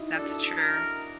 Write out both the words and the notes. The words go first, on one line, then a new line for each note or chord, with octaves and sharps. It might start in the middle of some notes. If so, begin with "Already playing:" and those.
That's true.
Already playing: D#4 E4 F#4
D4 A4
A#4